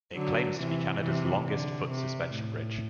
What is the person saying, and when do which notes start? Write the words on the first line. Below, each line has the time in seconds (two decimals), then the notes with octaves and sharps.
It claims to be Canada's longest foot suspension bridge.
0.14 D3 F#3
0.59 C3 E3
1.02 C3 E3
1.46 D3
1.89 C3
2.33 A2